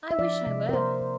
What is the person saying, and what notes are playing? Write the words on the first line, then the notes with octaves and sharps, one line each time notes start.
I wish I were.
E5
F3 D5
C3
A#4
A#3 C5
C3